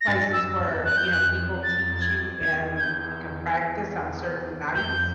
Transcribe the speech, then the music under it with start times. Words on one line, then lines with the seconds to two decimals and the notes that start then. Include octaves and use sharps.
places where, you know, people teach you and you can practice on certain nights,
0.01 A#6
0.07 G2 A6
0.33 F#2 E6
0.60 E2
0.85 F2 F#6
0.97 G6
1.11 F#6
1.63 A6
1.93 A6
2.02 G#6
2.41 E2 G#6
2.75 G#6
2.81 G6
4.75 F2 G6